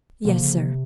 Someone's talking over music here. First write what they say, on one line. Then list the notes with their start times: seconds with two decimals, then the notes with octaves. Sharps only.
"Yes, sir."
0.25 B2 D3 F3 A#3
0.41 C#3
0.57 C3